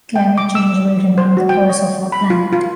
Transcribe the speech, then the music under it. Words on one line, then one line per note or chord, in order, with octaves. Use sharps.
Climate change will remain the curse of our planet.
G5
D6
E6
C5
F#4
G5
C#5
B5
F4
F4